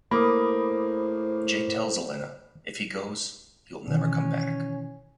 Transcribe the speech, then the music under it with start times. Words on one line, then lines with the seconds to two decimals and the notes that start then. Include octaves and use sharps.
Jake tells Elena if he goes he will never come back.
0.11 A2 A#3 C5 B5 D6 D#6
3.88 B2 D#3 E3 C#4